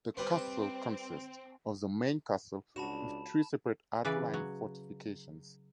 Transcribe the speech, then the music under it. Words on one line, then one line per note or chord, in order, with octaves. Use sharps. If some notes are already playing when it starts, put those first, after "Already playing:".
The castle consists of the main castle with three separate outlying fortifications.
G3 C4 B4 C5
C#2 D4 F#4 A5 B5 E7
C#3 E3 B4 D5
F#3